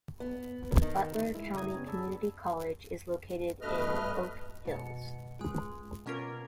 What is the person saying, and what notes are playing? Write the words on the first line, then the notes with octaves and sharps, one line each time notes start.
Butler County Community College is located in Oak Hills.
B3
D#3
G#3 E4
C#3 E4 D5 A#5 D#6 G#6
B3 C#4 G4
G#4 D5 A5 B5 E6
G2 B2 A3 B4 D#5 F6
G#1 B2 C#7
C#2 G#3
B2 A#3 C#4 F4 A#4